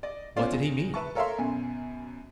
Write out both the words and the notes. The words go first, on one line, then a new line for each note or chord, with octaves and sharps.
What did he mean?
D5 D#5
B3 C#4 F4 C5 D5 F5
E2
B4 E5 A5 C#6
A4 A#4 C#5 E5 F5 C6
F#2 B2 G#5